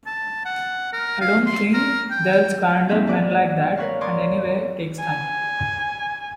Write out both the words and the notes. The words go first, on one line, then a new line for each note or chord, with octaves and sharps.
I don't think they'll squander men like that, and anyway it takes time.
A5
F#5
A#4
F5
C6
A#4
G5
G#2 A#3 C4 D#4 E5 G6
B2 B4 D5 D#5 D6 F#6
A#4 B4 C#5 F5
C#5 D5 A#5 C6 D6 D#6
G#5